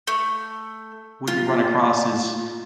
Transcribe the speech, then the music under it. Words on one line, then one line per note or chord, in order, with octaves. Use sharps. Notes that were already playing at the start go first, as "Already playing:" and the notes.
what you run across is
A3
F4